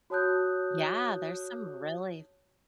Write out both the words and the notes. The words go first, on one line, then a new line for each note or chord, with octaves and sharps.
Yeah, there's some really
F#4 C#5 A5 D#6 F#6 G6